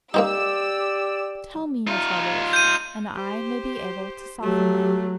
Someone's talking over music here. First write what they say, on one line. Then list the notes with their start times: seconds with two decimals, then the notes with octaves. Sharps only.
"Tell me your troubles, and I may be able to soften them."
0.14 A#3 C4 D#4 G4 D5 E6
1.87 D#4 F4
2.53 G6 D#7
3.15 G4 C5
4.42 F#3 A3 G4